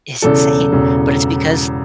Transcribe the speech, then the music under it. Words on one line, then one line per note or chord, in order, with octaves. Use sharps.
is insane, but it's because
E1 E2 C#3 A4
E1 E2 C#3